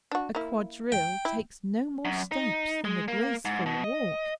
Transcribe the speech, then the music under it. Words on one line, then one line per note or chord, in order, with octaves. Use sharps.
A quadrille takes no more steps than a graceful walk.
D4 F#4
A#3 E4
G5
E4
F#2
D#4
G#3
A#3
G#2
B2
D#5